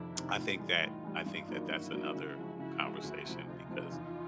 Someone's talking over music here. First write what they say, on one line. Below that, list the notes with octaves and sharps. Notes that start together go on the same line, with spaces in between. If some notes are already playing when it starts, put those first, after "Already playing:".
I think that I think that that's another conversation because
Already playing: F2 C3 D#3 D4 E4
C3 D#3
A2 D#4 F4
E3 G3
A2 D#4 F4
E3 G3
G2
D#3 F#3 A#3 D4
G2 E4 F#4
D#3 F#3 A#3 D4
C#3
F3 G#3
C#3 E4 F#4
F3 G#3
D2
C3 F3
D2 D#4 F4
C3 F3
E2